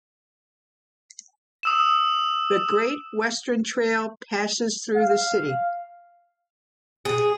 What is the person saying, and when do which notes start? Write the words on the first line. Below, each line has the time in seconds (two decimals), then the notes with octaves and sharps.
The Great Western Trail passes through the city.
1.63 D#6 E6 E7
4.95 F5
7.05 G#4